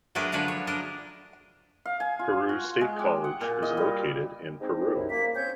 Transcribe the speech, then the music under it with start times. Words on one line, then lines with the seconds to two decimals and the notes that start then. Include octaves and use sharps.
Peru State College is located in Peru.
0.15 F#3 A3 D4 G#4 A#4 B4
0.32 D3 F3 F#3 D4 B4 C#5
0.48 C#5
0.67 D4 A#4 D#5
1.86 F5
2.00 G#5
2.19 F4
2.49 F#4
2.64 C5
2.81 G#3
2.99 G4
3.24 F#5
3.41 A#2
3.63 D#5
3.77 G3
4.61 G#3 C4 D#4
4.95 C2 F#2 E4
5.10 A#3 B6
5.35 C4 C#4 C#5 G6